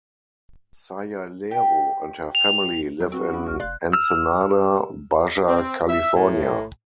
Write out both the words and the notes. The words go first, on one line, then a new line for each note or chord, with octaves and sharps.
Sayalero and her family live in Ensenada, Baja California.
G4
F7
F#3 C#5
C4 F#4 B4
C#4 B5
C2 F6
F1 D5 F5 C6 F#6
E6 F6
C4
E5
A2